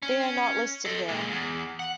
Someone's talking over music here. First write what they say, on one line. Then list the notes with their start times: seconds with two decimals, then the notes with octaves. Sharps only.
They are not listed here.
0.02 C#4
0.85 A4 D#5
1.08 A#2 G#3
1.31 E2
1.79 F#5